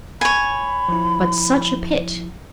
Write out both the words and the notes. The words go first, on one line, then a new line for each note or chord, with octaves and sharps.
But such a pit!
C#5 G#5 B5
F3 E4